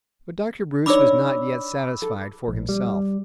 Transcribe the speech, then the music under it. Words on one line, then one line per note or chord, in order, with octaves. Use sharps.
But Dr. Bruce was not yet satisfied for himself.
D4 D#4 C#5 B5 D6 E6
A4
A#1
G3